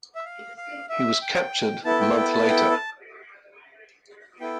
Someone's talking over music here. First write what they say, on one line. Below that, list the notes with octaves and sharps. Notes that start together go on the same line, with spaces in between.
He was captured a month later.
E5
F5
F5
E5
G5
B3 E4 A4 A5
G5
G5
A5
G5
A5
B3 E4 A4 G5